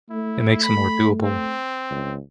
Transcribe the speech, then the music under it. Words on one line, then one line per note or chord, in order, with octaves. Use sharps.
It makes it more doable.
A3 E4
B5
C4
C#2